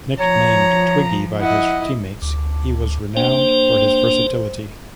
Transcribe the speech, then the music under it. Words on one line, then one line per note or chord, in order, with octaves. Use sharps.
Nicknamed "Twiggy" by his teammates, he was renowned for his versatility.
F3 C#5 A#5
E4 D#5 F#5
D2
A#3 D4 C5 G5